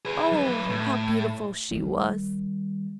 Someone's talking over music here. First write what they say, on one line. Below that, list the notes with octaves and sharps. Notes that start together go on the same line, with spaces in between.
Oh, how beautiful she was!
G#4 B4
F#2 B4
A2
D#3 G3